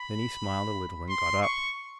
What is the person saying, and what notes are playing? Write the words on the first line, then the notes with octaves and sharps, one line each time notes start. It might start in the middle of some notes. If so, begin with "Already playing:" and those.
Then he smiled a little and got up.
Already playing: B5
C6
C#6